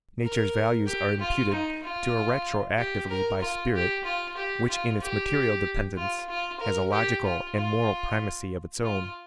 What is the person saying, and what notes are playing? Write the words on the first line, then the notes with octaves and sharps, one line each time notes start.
Nature's values are imputed to her retroactively by spirit, which in its material dependence has a logical and moral primacy of its own.
A#4
G4
F4
D#4
F4
G4
A#4
F4
G4
F4
G4
F4
G4
F4
F4
A#4
G4
F4
F4
F4